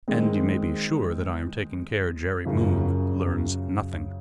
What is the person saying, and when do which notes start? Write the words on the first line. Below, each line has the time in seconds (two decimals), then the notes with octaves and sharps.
And you may be sure that I am taking care Jerry Moon learns nothing.
0.08 D#3 G#3 C4
2.45 F#2 C#3 F3